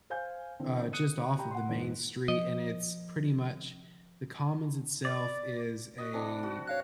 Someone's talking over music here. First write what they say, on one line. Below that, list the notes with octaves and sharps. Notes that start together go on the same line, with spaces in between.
uh, just off of the main street, and it's pretty much The Commons itself is a
C5 F5 G#5 G6
D3 E3 C4
D#6 F#6 C#7 D#7
G4 G5 A#5 B5
F#5 C6
E2 G#2
F3 D#5
D5
F#4 D#5
C3 E3 D4
F#4
C#5 F5 F#6